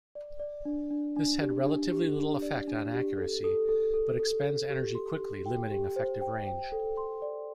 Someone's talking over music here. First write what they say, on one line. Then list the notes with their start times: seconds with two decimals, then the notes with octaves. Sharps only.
This had relatively little effect on accuracy, but expends energy quickly, limiting effective range.
0.15 D5
0.40 D5
0.65 D4
0.91 D4
1.16 D4
1.41 G4
1.66 D4
1.92 G4
2.17 D4
2.42 D5
2.68 D4
2.93 G4
3.18 A4
3.44 A4
3.69 A4
3.94 A4
4.19 A4
4.44 A4
4.70 G4
4.95 C6
5.20 G4
5.46 G5
5.71 G4
5.96 C5
6.21 G5
6.47 G5
6.72 A4
6.97 C6
7.22 D5